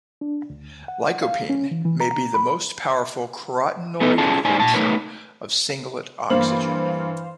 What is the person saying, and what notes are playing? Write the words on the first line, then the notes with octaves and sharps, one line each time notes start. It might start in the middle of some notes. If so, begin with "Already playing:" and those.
Lycopene may be the most powerful carotenoid quencher of singlet oxygen.
D4
D2
F#5
F5
C#4
E3
E3
A#5
B5
A3 B3 D#4 A4 D#5
C#4 E4 F4 G#4 D5 A5
A2 D#4 C5 D5 G#5
A#2 A5
A3 D#4 A#4 B4 C#5
G2 E3 A#3 C5 F5 F#7